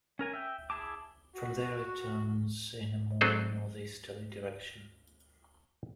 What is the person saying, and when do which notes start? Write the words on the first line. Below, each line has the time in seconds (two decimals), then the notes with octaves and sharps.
From there it turns in a more northeasterly direction.
0.19 C#4 A#4 G#5
0.33 E5 G5
0.70 E4 G#4 A5 D6
1.34 F#4
3.21 F#3 C4 D4 G#4 A4 C5